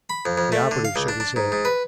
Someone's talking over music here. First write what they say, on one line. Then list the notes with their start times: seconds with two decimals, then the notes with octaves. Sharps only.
The operative shook his head.
0.10 B5
0.26 F2
0.38 F2
0.52 A3
0.71 D3
0.85 F5
0.96 C#2
1.08 D4
1.20 D4
1.36 G#2
1.52 G#2
1.65 B4